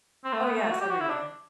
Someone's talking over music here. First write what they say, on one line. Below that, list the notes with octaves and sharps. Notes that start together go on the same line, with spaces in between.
Oh, yeah, it's everywhere.
C4
A3
B3
A3
F#4
G4
F#4
E4
D4